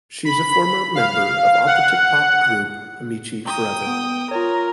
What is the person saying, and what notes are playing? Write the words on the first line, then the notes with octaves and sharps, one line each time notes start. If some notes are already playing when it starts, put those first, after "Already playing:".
She is a former member of operatic pop group Amici Forever.
B5
F5
F#5
G5 A#5 D#6
B3 D7
F4 A#4 C#5